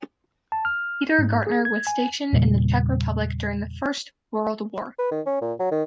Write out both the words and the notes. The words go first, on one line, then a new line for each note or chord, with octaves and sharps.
Peter Gartner was stationed in the Czech Republic during the First World War.
A5
F6
G#2
G#4
G#6
G#5
E2 A#2 C#3 G3
B4
D#3
C#4
A#2
F#3
D#3